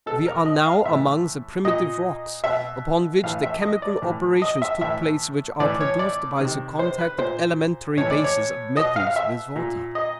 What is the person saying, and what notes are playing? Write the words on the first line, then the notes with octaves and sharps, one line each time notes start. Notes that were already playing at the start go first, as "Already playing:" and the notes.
We are now among the primitive rocks, upon which the chemical operations took place which are produced by the contact of elementary bases of metals with water.
B2 A4
A#4
D#5
F5
A2 E3 E5
A#2 D#5
B2 E5
A2 E3 F5
E5
D#5
D5
A2 E3
D#5
E5
A2 E3 E5
A2 E3 D5
C#5
D5
C3 D#3
C5
B4
A#2 C5
A2 E3 C#5
D5
C#5
B2 D#5
F5
F5
E5
A#2
D#5